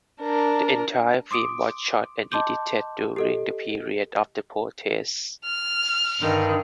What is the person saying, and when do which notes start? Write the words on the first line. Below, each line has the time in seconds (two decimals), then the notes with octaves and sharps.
The entire film was shot and edited during the period of the protests.
0.22 D4 A#4
1.31 C6 D6 D#6 D7
2.32 D#5 A5 C6 D6 G6
3.16 G4 A4 D#5
5.45 F6
6.21 G2 D3 D#3